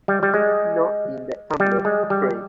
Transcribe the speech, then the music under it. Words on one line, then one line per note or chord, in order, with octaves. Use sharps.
Not in that tumbler, pray.
G3
G3
G#3
G3
G#3
G3